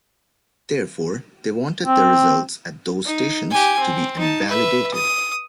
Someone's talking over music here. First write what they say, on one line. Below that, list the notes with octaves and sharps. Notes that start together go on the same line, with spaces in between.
Therefore, they wanted the results at those stations to be invalidated.
C4
D#4
G4 G#5
C4
D#4 A5
B4 E5
D#6